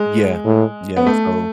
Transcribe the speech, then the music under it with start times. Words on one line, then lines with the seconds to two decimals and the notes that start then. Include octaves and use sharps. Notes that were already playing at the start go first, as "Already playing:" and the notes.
Yeah, yeah, so
Already playing: G#3
0.45 A2
0.97 B3
1.07 A3